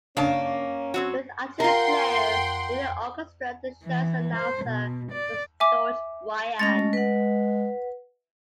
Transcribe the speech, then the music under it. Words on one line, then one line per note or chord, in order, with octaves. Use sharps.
With Archie Bleyer leading the orchestra, the show's announcer was George Bryan.
C#3 A#3 C#4 D4 A5
F#3 C4 F#4
F4 A#4 F#5 G5 C6
E3
C5
B2
D5
E5 G#5 D6
G#3 A3 C#4 A6 A#6
B4 F#5